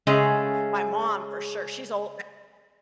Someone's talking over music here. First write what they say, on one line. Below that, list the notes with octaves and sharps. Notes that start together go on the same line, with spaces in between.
My mom, for sure, she's ol eh
C#3 G#3 A3 C#4 G#4